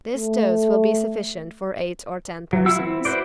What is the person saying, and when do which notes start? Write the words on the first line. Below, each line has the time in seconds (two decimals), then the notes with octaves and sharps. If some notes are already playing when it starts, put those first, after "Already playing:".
This dose will be sufficient for eight or ten persons.
0.15 A3
2.53 F#3
2.66 E4 F4 F#5 E6
2.79 C4 E4
3.05 E4 F#4 B4 C5 D5